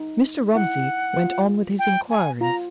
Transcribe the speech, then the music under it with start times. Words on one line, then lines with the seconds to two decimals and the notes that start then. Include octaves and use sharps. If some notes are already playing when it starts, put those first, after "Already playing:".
Mr. Romsey went on with his inquiries.
Already playing: D#4
0.55 E4 F#5
1.17 F4
1.79 G5
2.10 G#5
2.41 F4 A#5